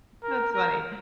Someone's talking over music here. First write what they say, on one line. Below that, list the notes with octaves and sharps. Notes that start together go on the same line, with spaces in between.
That's funny.
A#4
A#4